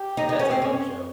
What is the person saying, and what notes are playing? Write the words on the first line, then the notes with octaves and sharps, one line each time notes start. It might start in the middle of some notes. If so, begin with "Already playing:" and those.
that's a fun show.
Already playing: G4
D#4
D#4
C#4
C4
C#4